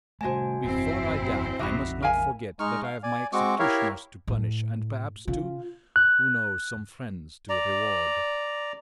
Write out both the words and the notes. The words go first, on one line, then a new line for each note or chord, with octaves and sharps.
Before I die I must not forget that I have my executioners to punish, and perhaps, too, who knows, some friends to reward.
C3 G3 A3 F#4 C5 D#5 G#5 A5
G1 F2 C4 E4
A#1 F2 C#3 D4 D#4 F#4 E5 B5
A#4 F5 G#5
G#3 D#4 C#6 F6
F5
D5 G#5
G#3 C4 F#4 C#6 D6
E4 G4 A#4 C#5 E5 F5
A2
C#3 F4
F#6
D5 A#5